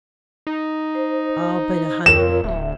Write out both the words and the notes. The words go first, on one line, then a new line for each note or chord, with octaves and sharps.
"All but a hundred."
D#4
C5
F2 F4 A#4 C#5 E7
D1 E5